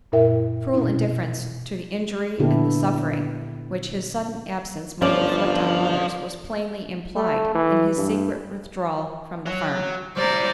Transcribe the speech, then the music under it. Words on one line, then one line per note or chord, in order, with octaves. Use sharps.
Cruel indifference to the injury and the suffering which his sudden absence might inflict on others was plainly implied in his secret withdrawal from the farm.
F#2 A#2 E4 A#4 E5 G5
B2 C4 C#4 E4
A#2 D3 B3 E4 G4 A4
G1 F3 C#4 D5
A3
E3
G2
F#4 C#5
G3 E4 C5 D5 A#5